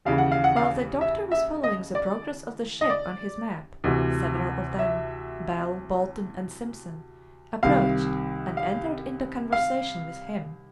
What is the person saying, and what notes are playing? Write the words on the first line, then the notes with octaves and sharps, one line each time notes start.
While the doctor was following the progress of the ship on his map, several of them, Bell, Bolton, and Simpson, approached and entered into conversation with him.
D#2 C#3 E3 F5
F#5
F5
F#5
F5
E5
E5
D#5
D5
D#5
D5
D2 C3 E3
E5
C2 C3 D#3 F5
F5
F5